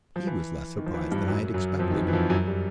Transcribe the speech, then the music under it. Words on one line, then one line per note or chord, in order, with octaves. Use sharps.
He was less surprised than I had expected.
F3
E3
D#3
F3
E3
G2 G3
G3
F#2 F#3
F#2 F#3
F2 F3
D#3
E3
E3
F2 F3
F#2 F#3
G3